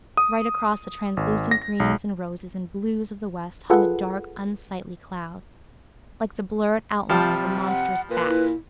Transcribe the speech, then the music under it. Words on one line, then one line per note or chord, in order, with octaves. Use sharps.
Right across the translucent greens and roses and blues of the west hung a dark, unsightly cloud, like the blurred outline of a monstrous bat.
D#6
G#1
A#6
B1
F4 G#4 A4 B4 F#5
C3 F3 G3 A5
F#5
A#2 B4
E4